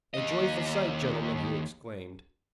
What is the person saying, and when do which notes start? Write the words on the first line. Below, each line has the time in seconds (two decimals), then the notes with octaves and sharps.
"A joyful sight, gentlemen!" he exclaimed.
0.14 D#2 D#5